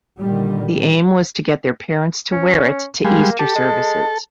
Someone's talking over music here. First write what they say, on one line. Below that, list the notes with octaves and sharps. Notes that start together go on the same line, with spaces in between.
The aim was to get their parents to wear it to Easter services.
A#2 D3 D#3 G3
C#4
G3 G#3 A#3
G4 A4
G#3